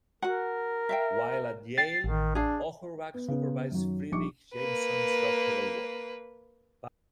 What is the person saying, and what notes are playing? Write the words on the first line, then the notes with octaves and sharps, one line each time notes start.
While at Yale, Auerbach supervised Fredric Jameson's doctoral work.
F#4 A#4 F#5
E5 F5 G5
G5 A6 C7
A1 D#3
D4 G#4 F5
B3
C#3 B3
F#2 D#3 F#3
A#1 G3 D#4 C#6 D6 C#7
A#3 B4